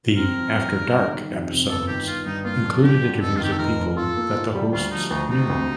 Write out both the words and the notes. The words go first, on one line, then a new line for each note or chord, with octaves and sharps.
The "After Dark" episodes included interviews of people that the hosts knew.
C4 A#4
F3
G2
D3
G3
D#3
F2
C3
G1 A4
D#3 G4
G1 F4
G2 D#4
A#3 F4
F3
G2 G4
D3
F1 A4
F4
D#3 G4
A4
F1 A#4
F2
F4 A4
A#3
A#2
G3
D2 F4
F3 D#4
D2 D#4
C3 D#4
D2